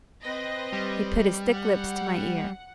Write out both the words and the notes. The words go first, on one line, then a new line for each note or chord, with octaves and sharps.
He put his thick lips to my ear.
C4 B4 D#5
G3
F#5